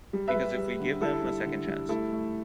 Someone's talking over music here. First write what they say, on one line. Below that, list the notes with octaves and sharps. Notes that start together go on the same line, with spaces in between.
Because if we give them a second chance.
G3
B4 E5
G3
G3
D3
G3 E4 A4
G3
D3
G3
A3 E4 A4
A3